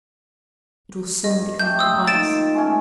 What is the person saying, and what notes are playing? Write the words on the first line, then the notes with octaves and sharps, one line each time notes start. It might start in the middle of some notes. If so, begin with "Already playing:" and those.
It will soon become like ice.
G2 D#5
A3 G4 G6
C5 C6 D#6 E6
A#2 D#3 A6 D7 E7
G#3 A3 C#4